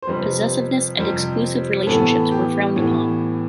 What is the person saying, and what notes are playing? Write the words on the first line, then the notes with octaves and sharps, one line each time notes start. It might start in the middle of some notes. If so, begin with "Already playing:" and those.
Possessiveness and exclusive relationships were frowned upon.
C5
F2 C3 G3 C4 B4
F2 C3 G3 C4
A2 E3 B3 A4
G4
A2 E3 B3